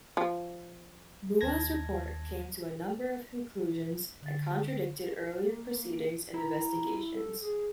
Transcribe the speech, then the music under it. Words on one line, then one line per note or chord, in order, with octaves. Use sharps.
Bua's report came to a number of conclusions that contradicted earlier proceedings and investigations.
F3
D#2 A5 G#6 A#6
D3 A6
A#3
E4 A#5
A4
G#4